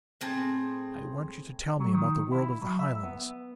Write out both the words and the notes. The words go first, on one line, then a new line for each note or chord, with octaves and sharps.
I want you to tell me about the world of the Highlands.
A2 C4 G#4 A5
F#3
D#3
E4
F#3
E5
B3